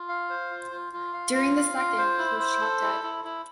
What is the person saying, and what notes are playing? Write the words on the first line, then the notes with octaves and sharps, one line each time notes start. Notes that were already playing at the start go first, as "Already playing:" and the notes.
During the second, he was shot dead.
Already playing: F4
F5
C5
F4
F4
F4
F5
F4
F5
F4
C5
E4
C5
A4
E4
E4
E4